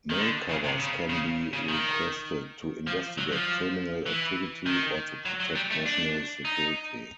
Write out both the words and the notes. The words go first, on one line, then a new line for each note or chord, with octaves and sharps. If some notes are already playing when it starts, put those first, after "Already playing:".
Mail covers can be requested to investigate criminal activity or to protect national security.
D#3
D3
C#3
C3
C#3
C#3
C#3
D#3
F3
F#3
F3
E3
D#3
F#3
F#3
G3
A3
D4
D#4